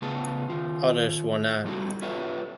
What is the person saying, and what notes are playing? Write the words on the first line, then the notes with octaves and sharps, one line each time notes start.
Others were not.
C#3 A3 B3 F4 G#4 A5
D#3 F4
F3 G3 A3 D#4 E4 F#4
F4 G4 A4 B4 C#5 E5